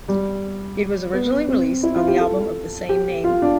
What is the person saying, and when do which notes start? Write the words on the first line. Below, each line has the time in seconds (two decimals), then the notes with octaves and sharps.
It was originally released on the album of the same name.
0.08 G3
1.13 B3
1.49 C4
1.83 E4
1.96 F4
2.08 G4
2.20 A4
2.89 G4
3.24 F4
3.42 D4